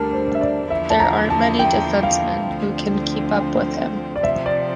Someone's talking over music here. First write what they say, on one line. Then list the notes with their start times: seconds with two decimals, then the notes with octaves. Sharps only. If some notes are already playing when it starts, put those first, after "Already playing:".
There aren't many defensemen who can keep up with him.
Already playing: D2 D3 G3 D4 A4 A#4
0.13 C5
0.35 E5
0.41 D5
0.70 E2 D3 F3 A#3 E4 E5
0.90 A5
1.00 A#5
1.30 A5
1.59 G5
2.03 F5
2.47 D2 D3 F3 C4
4.16 D5
4.23 C3 F3 C4 E5
4.46 D5